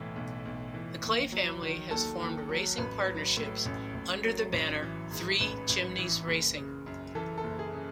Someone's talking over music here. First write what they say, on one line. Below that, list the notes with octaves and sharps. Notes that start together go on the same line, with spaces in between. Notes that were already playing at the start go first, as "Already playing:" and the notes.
The Clay family has formed racing partnerships under the banner, Three Chimneys Racing.
Already playing: B1 A2 E3
B1
B1
E3
D#2
F#3
D#3
D#2 A4
D#2
F#3
A1 B4
F#3
A2
A1
A1
F#3
A1
E3
G#2
A1 B4
A1
E3
F#1
C#3
F#2
E3 A4
A4
F#1
G#4
C#3